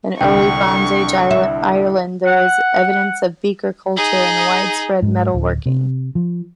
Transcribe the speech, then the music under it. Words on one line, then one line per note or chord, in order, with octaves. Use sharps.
In early-Bronze Age Ireland there is evidence of Beaker culture and a widespread metalworking.
C2 D3 G5 C#6
E4
F#5
D#4 G#4
G#2
D1
C3
F3